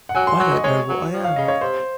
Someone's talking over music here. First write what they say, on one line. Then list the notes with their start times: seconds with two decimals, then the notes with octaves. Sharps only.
I don't know what I am.
0.09 F#5
0.15 F#3 G#5
0.27 C6
0.39 F#3 C#6
0.52 D#5
0.63 G#3 C#5
0.89 F#3
1.13 F3
1.24 F5
1.36 C#3 D#5
1.48 C#5
1.61 C3 C5